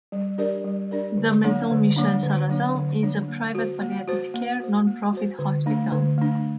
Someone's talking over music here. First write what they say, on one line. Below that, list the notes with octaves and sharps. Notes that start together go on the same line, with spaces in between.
The Maison Michel-Sarrazin is a private palliative care, non-profit hospital.
G3
D4 G4 A#4 D5
G3
D4 G4 A#4 D5
D3
F#3 A#3 D4
D3
F#3 A#3 D4
D3
F#3 A#3 D4
D3
F#3 A#3 D4
A#3
F#4 C5
A#3
F#4 C5
A#3
F#4 C5
A#3
F#4 C5
D3
A3 D4
D3
A3 D4